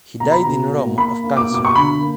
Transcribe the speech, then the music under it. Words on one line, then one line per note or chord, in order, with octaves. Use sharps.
He died in Rome of cancer.
B2 A#5
B5
B2 A#5
A#3
A#3 B5
A#3
D6
B2
D6
C#6
D3 B5
A#3